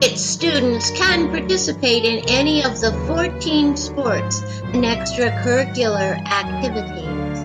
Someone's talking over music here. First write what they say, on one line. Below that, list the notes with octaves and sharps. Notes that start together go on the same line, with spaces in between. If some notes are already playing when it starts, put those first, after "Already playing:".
Its students can participate in any of fourteen sports and extracurricular activities.
Already playing: G#2 D#3 F#3
F#2 D3 F#3 B4
A#4
D2 D3 F#3
G2 E3
A4
C2 C3 F3 A#4
D#2 C#3 F#3 B4
D#2 D3 F#3
G#2 F3 C5
C2 A#2 F#3 C5
E5
G#2 D#3 F#3 F5
F#5
G2 E3 G#5
D#2 D#3 F#3 G#5
F#5
D2 D3 F#3 F5